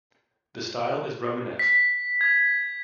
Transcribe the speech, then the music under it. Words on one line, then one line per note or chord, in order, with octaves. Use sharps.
The style is Romanesque.
B6
G#6